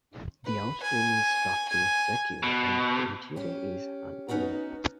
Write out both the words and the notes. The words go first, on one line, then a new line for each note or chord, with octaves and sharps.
The outer rim is roughly circular, and the interior is uneven.
B4
G#5
G#5
B2
C#4 G4
B3 C#4 D#4 F#4 A#4